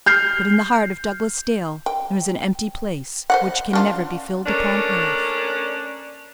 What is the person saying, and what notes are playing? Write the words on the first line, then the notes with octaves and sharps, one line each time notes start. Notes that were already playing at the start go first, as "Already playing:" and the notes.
But in the heart of Douglas Dale there is an empty place which can never be filled upon earth.
F6 G6 C7
G5
C5 D5 F#5
C#4 D4 F4
A3 A#3 C#4 D4